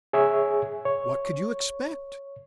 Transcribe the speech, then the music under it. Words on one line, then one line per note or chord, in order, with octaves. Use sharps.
What could you expect?
G#4 C#5 E5 G#5
C#5